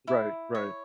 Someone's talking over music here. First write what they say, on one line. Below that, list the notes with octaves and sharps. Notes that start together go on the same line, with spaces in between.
Right, right.
E4
C#5